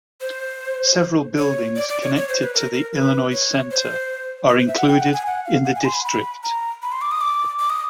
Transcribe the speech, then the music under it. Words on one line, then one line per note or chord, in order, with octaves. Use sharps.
Several buildings connected to the Illinois Central are included in the district.
C5
C#5
D5
D5
C#5
C#5
C5
B4
A#4
A#4
B4
C#5
C5
B4
C5
E5
F#5
G5
F#5
G#5
F#5
F5
F#5
G#5
C6
B5
B5
A#5
B5
C6
D6
D#6
D6
D6
D#6